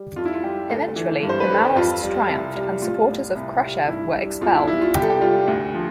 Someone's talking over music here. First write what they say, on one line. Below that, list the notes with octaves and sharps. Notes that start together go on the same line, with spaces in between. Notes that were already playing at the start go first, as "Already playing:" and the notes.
Eventually, the Maoists triumphed, and supporters of Khrushchev were expelled.
Already playing: G3
F2 F4
E4
F4
G3 G4
D2 A4
E3
G2
C5
B4
G3 A4
G4
F2 F4
G3
C2
G3
A2 F4
A2
C2
G3
G2 E4
G3
E2 F4
E4
G3 E4
F4
C2 G4
A4
G4
G3 F4
D2
F3